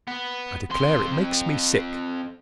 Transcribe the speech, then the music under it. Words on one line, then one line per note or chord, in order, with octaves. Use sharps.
I declare it makes me sick.
B3
F2 C6